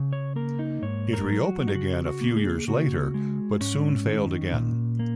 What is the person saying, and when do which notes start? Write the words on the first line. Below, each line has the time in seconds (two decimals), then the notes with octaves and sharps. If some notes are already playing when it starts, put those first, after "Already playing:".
It reopened again a few years later but soon failed again.
Already playing: C#3
0.13 C#5
0.36 A#3 A#4
0.59 D#4
0.82 G#2 C#5
1.13 A#4
1.28 F#3
1.44 F#4
1.67 D#4
1.75 C#3 F#4
2.06 F#4
2.21 A#3
2.37 G#4
2.68 C#3 F#4
3.14 G#3
3.60 G#2 C#4
4.07 D#3
4.53 A#2
4.99 A#3